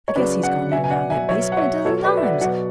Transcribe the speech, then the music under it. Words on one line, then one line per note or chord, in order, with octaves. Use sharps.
I guess he's gone in and out of that basement a dozen times.
C#5
C#3 F#3 B4 D5
D5 F#5
B2 F#3 E5 G#5
G#5
D5 F#5
E5 G#5
B2 F#3 C#5 E5
F#5
C#5 E5
B2 F#3 A4 C#5
B4 D5
E5
D5 F#5
B2 F#3 D5 F#5